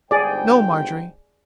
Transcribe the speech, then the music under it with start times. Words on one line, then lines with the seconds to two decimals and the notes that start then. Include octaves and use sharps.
No, Marjorie.
0.11 G1 G#2 G#4 D5 G5